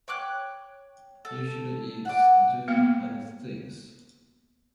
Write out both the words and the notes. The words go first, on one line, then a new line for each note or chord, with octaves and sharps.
Usually eats Dood and his things.
C#5 G5 D6 F#6
A4
D5 F#5
A#3 B3 F5